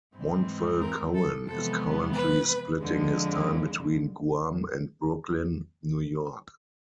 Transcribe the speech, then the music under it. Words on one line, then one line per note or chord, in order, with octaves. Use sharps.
Montvel-Cohen is currently splitting his time between Guam and Brooklyn, New York.
G#2 E3 G#3 C4
A#4
A4
F2 C3 E3 G#3 B3 A4
B4
F2 D3 F3 G#3